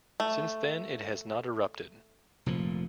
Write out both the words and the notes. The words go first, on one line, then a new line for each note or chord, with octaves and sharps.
Since then it has not erupted.
A3
F1 A#2 F3